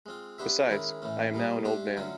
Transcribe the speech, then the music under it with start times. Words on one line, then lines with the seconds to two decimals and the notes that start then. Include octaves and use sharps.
Besides, I am now an old man.
0.06 G#3 C4 F4
0.38 B3 D4 G4 C5 E5
0.70 D#3 G#3 C#4 E4
1.02 A2 E3 A3 C#4
1.34 A#2 G3 A#3 D#4
1.65 A3 D4 G4 C5
1.97 D3 F#3 A3 C#4 F4